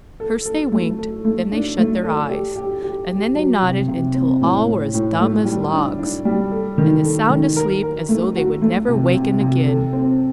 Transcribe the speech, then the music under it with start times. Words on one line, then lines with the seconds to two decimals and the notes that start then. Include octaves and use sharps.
First they winked, then they shut their eyes, and then they nodded until all were as dumb as logs, and as sound asleep as though they would never waken again.
0.20 A4
0.46 A4
0.72 A3
0.99 A4
1.25 A3
1.51 D4
1.78 A3
2.03 A4
2.30 G4
2.56 G4
2.83 G4
3.09 G4
3.36 F#3
3.62 C3
3.88 C3
4.14 C4
4.41 A2
4.68 A2
4.94 A2
5.20 A3
5.45 G3
5.73 D4
5.99 D4
6.25 G3
6.52 A4
6.78 D#3
7.04 A4
7.30 D#3
7.56 A#4
7.83 A#4
8.09 A3
8.36 F#4
8.62 A3
8.88 C3
9.14 C3
9.40 C3
9.67 A4
9.93 C4